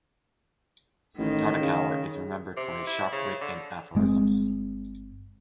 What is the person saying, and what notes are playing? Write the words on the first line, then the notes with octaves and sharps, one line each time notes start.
Tartakower is remembered for his sharp wit and aphorisms.
A1 D#3
C#3
C3
E4
C#3
D3
G1 G#3 C4